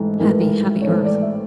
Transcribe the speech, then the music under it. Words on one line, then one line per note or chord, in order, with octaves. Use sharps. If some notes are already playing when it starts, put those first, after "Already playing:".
Happy, happy earth!
Already playing: A1 G#2 E3 A3 A4
A1 G#2 E3 A3 A#4
B4
A#4
C#5
A1 G#2 E3 A3 C5
D5
E5